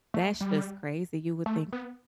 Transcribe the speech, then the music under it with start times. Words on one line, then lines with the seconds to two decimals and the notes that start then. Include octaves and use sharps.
that's just crazy, you would think
0.14 A3
0.41 G3
1.46 A3
1.73 B3